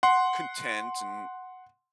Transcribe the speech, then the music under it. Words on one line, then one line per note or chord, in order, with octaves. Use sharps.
content and
F#5 C6